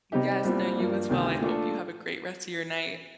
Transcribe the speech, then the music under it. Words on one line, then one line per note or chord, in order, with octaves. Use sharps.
Y yes, no, you as well, I hope you have a great rest of your night.
C3 G3 C4 D#4 G4
C2 A#2 G3 C4
G2 F3 A#3
D2 C3 D#3
A#2 A3 D4 F4 A4